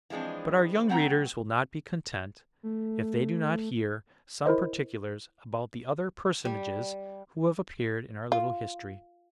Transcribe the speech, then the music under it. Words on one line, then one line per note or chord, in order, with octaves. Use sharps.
But our young readers will not be content if they do not hear some particulars about the other personages who have appeared in our little history.
E3 F3 G#3 C4 D4
F#3 A3 C4 F#5 G5 A#5
A3
E4 A#4 C5 D#5
G3
F4